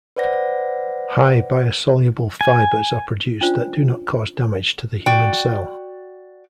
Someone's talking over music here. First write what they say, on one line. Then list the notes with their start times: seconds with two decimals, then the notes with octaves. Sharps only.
High biosoluble fibres are produced that do not cause damage to the human cell.
0.16 B4 C5 D5 F#5 A#6
2.41 G#5
3.41 C#4 D4 F4 C5 D5
5.06 F#4 D5 G5